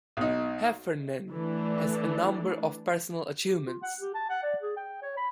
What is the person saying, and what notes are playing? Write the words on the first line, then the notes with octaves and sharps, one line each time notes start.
Heffernan has a number of personal achievements.
B1 D#4
E3 A3 D4 A4 D5
G4
F4
F#5
G4
A5
F#5
D5
G#4
G5
C#5
B5